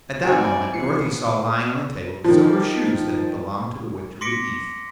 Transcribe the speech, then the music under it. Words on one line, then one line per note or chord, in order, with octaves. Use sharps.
At that moment Dorothy saw lying on the table the silver shoes that had belonged to the Witch of the East.
C4 D#4 F#4 G#4 D5 G#5
C3 E3 F3 B3 C7 C#7
D#3 F3
C6 D6 A#6 B6 C#7 D7